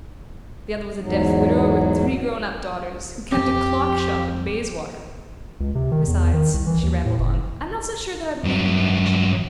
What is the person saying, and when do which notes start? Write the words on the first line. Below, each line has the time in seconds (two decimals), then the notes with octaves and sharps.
The other was a deaf widower with three grown-up daughters, who kept a clock-shop in Bayswater!--Besides," she rambled on, "I'm not so sure that I believe in marriage.
1.01 E2 G#2 F#3
3.32 F2 F3 C4 G4
5.60 C#2
5.75 C3
5.91 D#3
6.08 E2
6.33 D#3
6.54 C2
6.67 E3
6.83 D#2
7.05 A2
7.19 F#1
8.44 G2 F#3